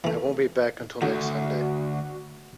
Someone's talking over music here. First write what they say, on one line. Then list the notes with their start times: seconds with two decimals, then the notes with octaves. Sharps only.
I won't be back until next Sunday.
0.04 E3 A3
1.02 D2 D3 F#4